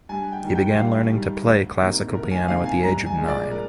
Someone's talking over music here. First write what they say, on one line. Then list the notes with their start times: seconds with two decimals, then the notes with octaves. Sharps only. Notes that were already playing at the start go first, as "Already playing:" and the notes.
He began learning to play classical piano at the age of nine.
0.09 G2 G#5
0.32 G5
0.43 D#3 G3
0.55 G5
0.78 G2 F5
1.11 D#3 G3
1.46 D2
1.81 C3 D#3 A#3
2.14 D2 A#4
2.31 G#5
2.48 C3 D#3 A#3 F5
2.65 G#5
2.83 C2 A#5
3.06 G#5
3.18 A#2 G#3
3.28 D5
3.51 A#4